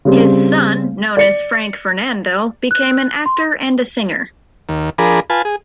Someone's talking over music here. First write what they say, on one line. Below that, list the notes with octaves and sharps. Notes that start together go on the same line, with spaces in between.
His son, known as Franck Fernandel, became an actor and a singer.
C#3 G3 C4
D5 C#7
F#6
C6
D#2
F3 D4 G#4 A#4 B5
F4 B4 G#5 A5
G#4